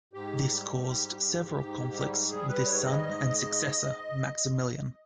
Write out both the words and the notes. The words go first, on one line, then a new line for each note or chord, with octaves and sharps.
This caused several conflicts with his son and successor Maximilian.
G#2 G4
G3
G#2
G#2
G#2
G3
G3 G#4
B4
G#2 C#5
D#5
G#2